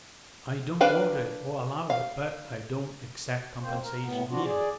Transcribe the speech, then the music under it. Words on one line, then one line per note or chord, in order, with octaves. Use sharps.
I don't order it or allow it, but I don't exact compensation either.
D4 B4 F5 G5
F5
A#3 C4 C5
A#4
A2 B3
F3 D4 F4 F#4
G#4 D5